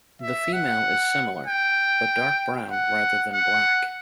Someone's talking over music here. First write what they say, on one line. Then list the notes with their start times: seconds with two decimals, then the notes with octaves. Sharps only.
The female is similar, but dark brown rather than black.
0.22 E5
0.53 F#5
1.47 G5
2.71 F#5
3.32 F#5